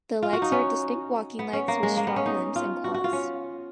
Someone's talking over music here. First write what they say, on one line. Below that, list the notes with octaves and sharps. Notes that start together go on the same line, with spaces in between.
The legs are distinct walking legs, with strong limbs and claws.
F4
F#4
D#4
C#4
B3
C#4
A#3
G#3
A#3
B3
C#4
D#4
F4
F#4
F#4
F4
C#4